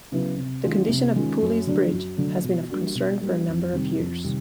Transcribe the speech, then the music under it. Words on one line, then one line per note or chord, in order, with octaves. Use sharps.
The condition of Pooley's Bridge has been of concern for a number of years.
C#3 F#3 B3 E4
C3
D#3 G#3 C#4 F4
C3
D#3 G#3 C#4 F4
F#2
D3 F#3 A3 D4
F#2
D3 F#3 A3 D4
B2
G3 A#3 D4 F#4
B2
G3 A#3 D4 F#4
F2
C3 D#3 G3 C4
F2
C3 D#3 G3 C4